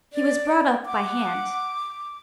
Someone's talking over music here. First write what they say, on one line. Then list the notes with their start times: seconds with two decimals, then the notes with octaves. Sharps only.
He was brought up by hand.
0.13 D5
0.86 F#5 D6